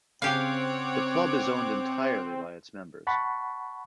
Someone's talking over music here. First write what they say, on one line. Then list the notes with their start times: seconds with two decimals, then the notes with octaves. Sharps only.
The club is owned entirely by its members.
0.22 C#3 C4 G4 C#5 F5 F#5 D6
3.07 F#5 A5 B5 C#6